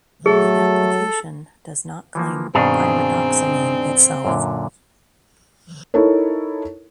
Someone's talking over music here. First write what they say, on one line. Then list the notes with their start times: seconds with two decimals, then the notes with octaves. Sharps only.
The application does not claim pyridoxamine itself.
0.26 F#3 A3 G#4 A4
2.15 E3 F3 A#3
2.55 G2 B2 D#3 C4 D4 D#4 G#4
4.25 F#2 A#2 D3
5.94 D#4 E4 A4 A#4 C#5